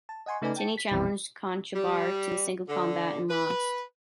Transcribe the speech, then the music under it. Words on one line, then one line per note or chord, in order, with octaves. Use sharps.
Tinni challenged Conchobar to single combat, and lost.
A5
D#5 F#5 G#5 C6 C#6
C#3 A3 D#4 B4 D5 G#5
G5 A5 C#7
B6
A#1 F2 B2 E3 C4 E5
G3
D3
B4